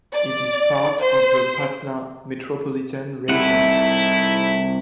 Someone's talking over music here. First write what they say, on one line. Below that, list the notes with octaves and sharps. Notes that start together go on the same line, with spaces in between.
It is part of the Patna Metropolitan Region.
D5
C5
C2 C3 A3 D#4 E4 F#5